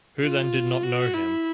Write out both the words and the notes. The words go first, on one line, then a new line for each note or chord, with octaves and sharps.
Who then did not know Him?
F4
F#4
E4